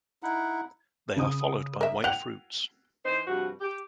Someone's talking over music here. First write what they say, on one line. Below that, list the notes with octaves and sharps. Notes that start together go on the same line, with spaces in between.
They are followed by white fruits.
D#4 E4 F#5
C#3 D#6
A#4 E5
F#5 G5 F7
E3 D#4 C5
G2 C3 F3 F#4
G4